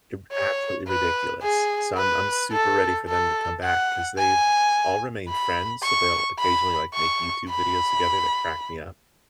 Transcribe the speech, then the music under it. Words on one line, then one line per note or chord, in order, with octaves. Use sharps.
ew absolutely ridiculous. So, I'm I'm super ready for them to come back, 'cause they've all remained friends, so they'll occasionally, like, make YouTube videos together that crack me up.
C#5
B4
G#4
B4
A4
A4
F#5
G#5
B5
C#6
B5
C#6
B5